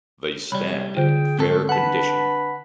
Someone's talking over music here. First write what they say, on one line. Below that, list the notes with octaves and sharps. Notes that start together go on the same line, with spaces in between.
They stand in fair condition.
C2 G3 C#5 B5
D3 F4 G#4 C5 G5
G#2 D#3 C4 A4
D4 B4 F#5 A5 B5